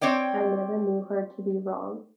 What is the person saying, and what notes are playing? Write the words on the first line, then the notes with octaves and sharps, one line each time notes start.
I never knew her to be wrong.
C4 C#5 D5 G5